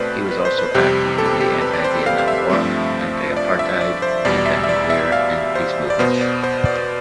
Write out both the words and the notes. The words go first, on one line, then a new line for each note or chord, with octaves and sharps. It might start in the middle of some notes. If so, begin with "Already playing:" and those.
He was also active in the anti-Vietnam War, anti-apartheid, anti-nuclear, and peace movements.
Already playing: B2 A3 C4 B4 C5 D5
B4
C5
B4
F2 C3 G3 C4 G4
A4
G4
G4
B4
D5
C5
F5
F5
E5
G2 F3 A3 C4
D5
E5
D5
C5
E2 B2 G3 D5
D5
E5
E5
D5
E5
F5
C5
D5
B2 B3 C5
D5
C5
D5